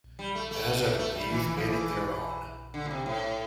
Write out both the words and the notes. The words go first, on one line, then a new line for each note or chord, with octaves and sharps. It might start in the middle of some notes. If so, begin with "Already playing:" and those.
As ever the youth made it their own.
G3
A3
A3
A3
A3
G3
E3
E3
F3
E3
D3
A#2
C3
A2